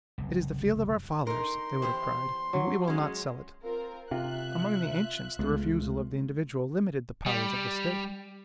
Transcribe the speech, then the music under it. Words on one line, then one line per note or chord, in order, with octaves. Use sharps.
"It is the field of our fathers," they would have cried, "and we will not sell it!" Among the ancients, the refusal of the individual limited the powers of the State.
F#1 C2
D#4 A#4 C6
E2 G4 C5
F#3
G#3 C#4
C4 F4 A#4
C3 F4 E5 F#6
C#2 G#3 A3 B3
G3